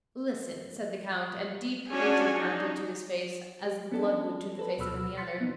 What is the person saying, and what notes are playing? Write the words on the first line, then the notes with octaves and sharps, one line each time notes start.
"Listen," said the count, and deep hatred mounted to his face, as the blood would to the face of any other.
C#4 D4 F#4 G#4 C#5 G#5
D4 D#4
G4
B3 C#4 D4 A4 D5
A4 B4
D2 B2 F#3 B5 E6 F6
C6 A6 B6 C#7
F3 B3 D#4